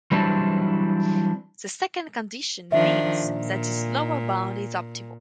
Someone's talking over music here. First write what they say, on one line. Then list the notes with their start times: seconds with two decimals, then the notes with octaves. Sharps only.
The second condition means that this lower bound is optimal.
0.11 E3 F#3 G3 C4 D4 E4
2.72 D#3 F3 D4 E5
3.23 A#2